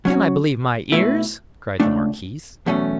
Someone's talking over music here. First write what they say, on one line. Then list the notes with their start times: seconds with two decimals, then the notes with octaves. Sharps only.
"Can I believe my ears?" cried the marquise.
0.05 F#3 C#4 F#4
0.92 B2 A3 E4 B4
1.80 C#2 B2 A3 D4
2.66 E2 B2 F#3 A3 C#4